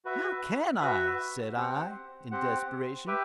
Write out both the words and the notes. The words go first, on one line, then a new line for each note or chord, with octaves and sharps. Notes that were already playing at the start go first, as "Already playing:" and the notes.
"How can I?" said I, in desperation.
F#4 B4 E5
F#4 B4 E5
C4 G4 C5 F#5
C4 G4 C5 F#5
G4 B4 E5 G5